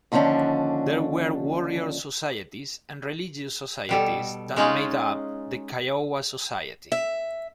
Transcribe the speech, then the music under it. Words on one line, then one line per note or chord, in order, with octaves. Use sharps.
There were warrior societies and religious societies that made up the Kiowa society.
D#2 D3 F3 A3 C#4 D4
B2 G3 A4
G#3 C#4 D#4 F4 G#4
E5